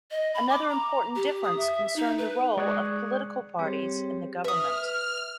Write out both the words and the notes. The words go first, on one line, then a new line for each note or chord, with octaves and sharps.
Another important difference concerned the role of political parties in the government.
D#5
B5
D6
A#5
G4
D#6
E5
D#4
B4
G#3 D5 C#6 D#6 F#6 G#6
G3 C4 G4 G#4 C5 C#5
B4 E5 D#6 F6